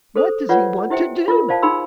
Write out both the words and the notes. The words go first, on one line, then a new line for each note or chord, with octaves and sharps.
"What does he want to do?"
G#4 A4 C5 D#6
F4 B4 C#5 D5 F#5
E4 G4 C5 E5 G5
F4 A#4
C5 D5 F5 A5
D#4 G#4 G5 B5 C6 E6